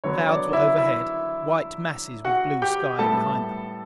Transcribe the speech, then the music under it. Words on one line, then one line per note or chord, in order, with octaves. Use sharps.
Clouds were overhead, white masses with blue sky behind them.
D3 F#3 B3 C#5
D5
E4 E5
E4 E5
F#4 F#5
G4 G5
A2 G3 B3 A4 A5